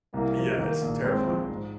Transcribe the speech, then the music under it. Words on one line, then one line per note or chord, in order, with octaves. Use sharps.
Yeah, it's terrifying.
C2 A#3
F3
D#3 A#3
A#1
G#3 C4
F3
G#2